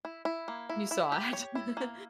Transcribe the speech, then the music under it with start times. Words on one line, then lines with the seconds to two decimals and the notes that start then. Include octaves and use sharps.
You saw it.
0.05 E4
0.25 E4
0.48 A#3
0.69 E4
0.91 E4
1.12 G4
1.33 C#5
1.55 E4
1.77 A#3